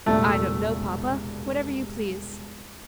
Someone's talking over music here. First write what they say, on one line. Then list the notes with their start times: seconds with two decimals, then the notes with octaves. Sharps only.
"I don't know, papa; whatever you please."
0.06 E1 C2 A#2 A3